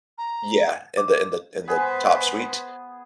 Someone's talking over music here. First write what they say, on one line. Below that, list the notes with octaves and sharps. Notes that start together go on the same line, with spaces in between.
Yeah, in the in the in the top suite,
A#5
D6
B3 G#4 B4 C5